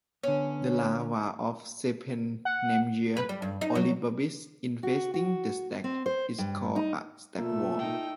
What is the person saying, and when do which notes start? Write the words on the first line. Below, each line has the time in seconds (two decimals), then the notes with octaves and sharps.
The larva of "Cephenemyia auribarbis", infesting the stag, is called a stagworm.
0.23 D3 B3 C#4
2.45 F#5
3.17 B4
3.29 G3
3.42 G2
3.61 D#4
3.75 F#3
4.83 F#4
5.14 F#4
5.84 C4
6.06 C5
6.38 G2
6.76 D#4
7.38 B2 A3 A#3 F4 E6
7.79 D#4 G5